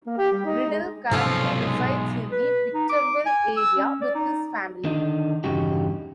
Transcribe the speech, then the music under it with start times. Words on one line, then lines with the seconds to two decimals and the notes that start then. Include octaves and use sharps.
Riddle currently resides in the Victorville area with his family.
0.06 A#3
0.18 G4
0.32 G3
0.45 D#4
0.70 G#3
1.11 B1 G#2 C3 F3 C#4 F4 A4
1.61 G#3
2.32 B4
2.74 D#4
2.89 D6
3.26 G#5
3.57 E6
3.77 C#4
4.01 D5
4.15 D#4
4.85 D3 D#3 D#4
5.44 E2 G2 C#3 D#4 F#4 G4